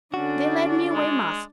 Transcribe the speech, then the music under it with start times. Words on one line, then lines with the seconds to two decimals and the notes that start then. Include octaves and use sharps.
They led me away masked.
0.14 D3 C#4 D4 F#4 D5
0.94 G#3